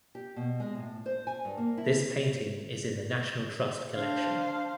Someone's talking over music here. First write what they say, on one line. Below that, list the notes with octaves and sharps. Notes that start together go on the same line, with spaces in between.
This painting is in the National Trust collection.
G4
B2
G#3
A2
C5
G#5
G2
A#3
E4
D4 C5 F5